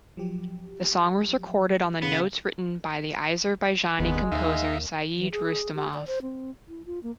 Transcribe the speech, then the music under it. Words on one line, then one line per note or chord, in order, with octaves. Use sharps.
The song was recorded on the notes written by the Azerbaijani composer Said Rustamov.
F3 F#3 G4
C#3 B3
F#1 D#2 G#3 B3
D#2 D#4 E5 F5
E3
G#4
G4
D5
C5
C4
E4
F4
A#3